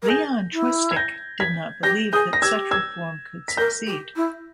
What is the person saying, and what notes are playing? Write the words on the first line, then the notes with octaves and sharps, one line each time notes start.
Leon Chwistek did not believe that such reform could succeed.
A#4
G#4 G6 A#6
E4
G#6
G6 A#6
G#6 B6
G4 G6 A#6
G#4 D#6 G6
A#6
G4 E6 G#6
E6 G#6
B6
A#4 G6 A#6
G4
E4